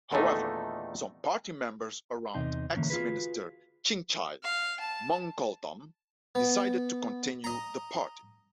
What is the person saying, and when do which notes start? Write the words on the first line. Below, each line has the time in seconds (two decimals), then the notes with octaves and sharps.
However, some party members around ex-minister Chingchai Mongcoltam, decided to continue the party.
0.12 E2 A#2 D3 D#3 A3 D#4
2.34 E2 C3 D#4 C6
2.76 D3 E3 A#3 C#4
2.90 F4 F#4 G#4 B4
4.43 F5
4.80 A5
6.35 B3
7.44 D#5 A#5